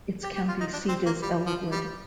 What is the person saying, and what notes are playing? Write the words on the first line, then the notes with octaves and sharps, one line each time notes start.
Its county seat is Elwood.
G4
G4
F4
D#4
D4
C4
A#3
G3
F3
G3